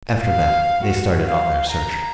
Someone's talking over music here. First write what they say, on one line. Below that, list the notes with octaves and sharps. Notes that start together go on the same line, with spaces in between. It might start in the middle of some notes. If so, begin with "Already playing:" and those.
After that, they started on their search.
F5
F#4
F5
A#5